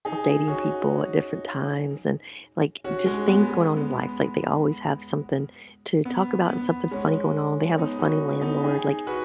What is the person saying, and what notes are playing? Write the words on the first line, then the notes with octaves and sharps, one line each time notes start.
dating people at different times and, like, just things going on in life, like they always have something to talk about and something funny going on. They have a funny landlord. Like
D#4 G#4
C#4 F#4
C#4 F#4
G#3 C#4
B3
G#3
B3
B3
B3
G#3 C#4
B3 D#4
C#4 F#4
B3 D#4
D#4 G#4
F#4 B4